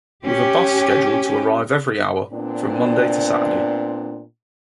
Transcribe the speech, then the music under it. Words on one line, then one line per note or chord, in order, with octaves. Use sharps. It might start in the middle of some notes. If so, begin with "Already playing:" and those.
With a bus scheduled to arrive every hour from Monday to Saturday.
C#4 G4
A#2 B3 C4 D4